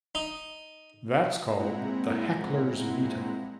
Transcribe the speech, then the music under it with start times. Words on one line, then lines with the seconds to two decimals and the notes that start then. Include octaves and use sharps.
That's called the 'heckler's veto'.
0.15 D#4
1.58 A#2 G#3 C4 E4 F#5 A#5